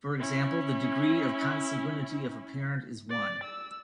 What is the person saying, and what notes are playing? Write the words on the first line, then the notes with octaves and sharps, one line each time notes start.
For example the degree of consanguinity of a parent is one.
C#4 E4
D5
E6